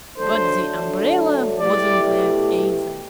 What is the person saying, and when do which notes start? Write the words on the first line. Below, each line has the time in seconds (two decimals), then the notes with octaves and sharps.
But the umbrella wasn't there, either.
0.18 D3 F#3 A3 D4 A4 C5
1.60 B2 A3 E4 G4 D5